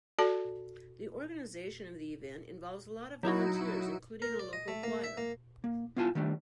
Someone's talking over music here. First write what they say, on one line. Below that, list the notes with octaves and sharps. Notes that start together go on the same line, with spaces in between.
The organization of the event involves a lot of volunteers, including a local choir.
F#4 A4 D5 A5
F#3 D#4 E4 F#4
A#4
D5
D#5
A3
A#3
E5
A#3
A#3
B3 E4 F4 G#5 A5
D#3 G3 A3 D4